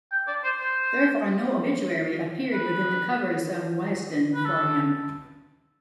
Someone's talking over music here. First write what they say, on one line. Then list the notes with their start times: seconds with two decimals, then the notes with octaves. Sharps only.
Therefore, no obituary appeared within the covers of Wisden for him.
0.11 G5
0.28 D5
0.44 C5
0.60 C5
2.53 B4
4.35 B4
4.45 A4